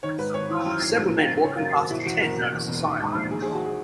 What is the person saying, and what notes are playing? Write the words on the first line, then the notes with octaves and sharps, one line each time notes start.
Several men walking past a tent notice a sign.
D#3 C#5
G#2 B4
G#1 C#5
E3
F#2
G#1
B1
A#2
B1
C#3 C#5
F#2 A#4
G#1 F#4
B2 E4
E2 F#4
F#1 A#4
B2
E2
E1
D#3
G#2
A#1
D#3 G#4
G#4
E2
F#4
G#4